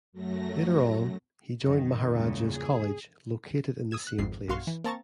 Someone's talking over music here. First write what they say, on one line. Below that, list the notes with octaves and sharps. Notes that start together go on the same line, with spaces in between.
Later on, he joined Maharajah's College, located in the same place.
F#2 F#3 A3 A#6
F#2 D#3
E2 G2 A#2 C#3 G#3
G#4
D#6 E6 G#6 E7
F#6
G#1 F2 G#2 C7
B1 G2 F#4 F5 C6 C#6
E3
A#3 C4 A5 A#5 C#6 A6